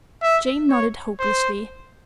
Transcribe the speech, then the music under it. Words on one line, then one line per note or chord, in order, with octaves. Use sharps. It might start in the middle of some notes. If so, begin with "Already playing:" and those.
Jane nodded hopelessly.
E5
C#5
C5